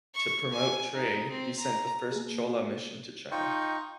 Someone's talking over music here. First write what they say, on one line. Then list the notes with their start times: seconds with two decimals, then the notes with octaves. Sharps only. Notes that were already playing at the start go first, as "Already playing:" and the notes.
To promote trade, he sent the first Chola mission to China.
0.14 C#6
0.52 G#5
0.93 D#4
1.30 C4
1.58 A#5
2.12 A#3 G#4
3.31 D#4 F4 G5 C#6